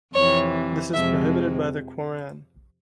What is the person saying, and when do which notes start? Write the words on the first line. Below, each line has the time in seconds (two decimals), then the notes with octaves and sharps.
This is prohibited by the Quran.
0.13 F2 C3 E3 C#5
0.93 F2 C3 F3 G#3 E5